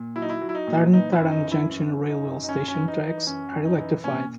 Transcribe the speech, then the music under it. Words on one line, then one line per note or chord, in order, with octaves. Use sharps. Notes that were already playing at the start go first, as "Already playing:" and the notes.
Tarn Taran Junction railway station tracks are electrified.
Already playing: A#2
F#3 E4
D#4
E4
F#3
E4
D#4
A#2
E3 D#4
E4
F#2
D#4
E3
E4
F#2
F#2
D#4
F#2
D#4
F#2 C#4
C#4
E3
D#4
E3
D#4
F#2 C#4
F#2
D#4
E3
A#2 C#4